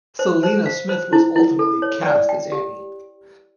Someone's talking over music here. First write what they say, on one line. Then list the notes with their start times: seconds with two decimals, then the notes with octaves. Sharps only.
Celina Smith was ultimately cast as Annie.
0.19 C5
0.43 C5
0.66 F5
0.89 C5
1.13 E4
1.36 E4
1.59 A4
1.82 C#5
2.06 D5
2.29 G5
2.52 G4